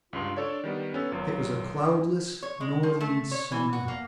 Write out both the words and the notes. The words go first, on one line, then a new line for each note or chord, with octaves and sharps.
It was a cloudless, northern, summer night.
C#2 G2 F4
D4 A4 C#5 D5
D#3 G3 B3
B3 C#4 A4
G#1 F#3 F4
C#5
G#3
F3
A3
C#5
E3
F#4
A#3